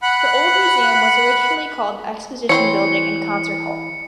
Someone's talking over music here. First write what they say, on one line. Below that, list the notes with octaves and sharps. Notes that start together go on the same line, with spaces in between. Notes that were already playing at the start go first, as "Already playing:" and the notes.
The Old Museum was originally called the Exhibition Building and Concert Hall.
F#5 B5 F#6
E3 C4 C5 C#5 C#7